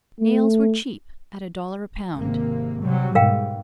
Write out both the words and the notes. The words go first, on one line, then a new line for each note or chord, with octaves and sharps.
Nails were cheap at a dollar a pound.
A3
G#1 C3 A#3
C3 F#3 G3
G#2 B2 A#4 F5 G5